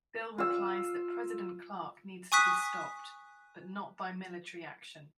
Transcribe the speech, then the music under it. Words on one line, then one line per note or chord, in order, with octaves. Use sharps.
Bill replies that President Clark needs to be stopped, but not by military action.
F4 E6
G#5 C#6 D#6 F#6 B6